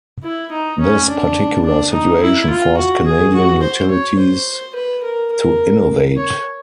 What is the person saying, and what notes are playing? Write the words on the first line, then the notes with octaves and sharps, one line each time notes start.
This particular situation forced Canadian utilities to innovate.
E4
D#4
C#4
D4
D4
D#4
E4
F4
F#4
G#4
F#4
C5
C#5
C5
B4
A#4
A#4
C#5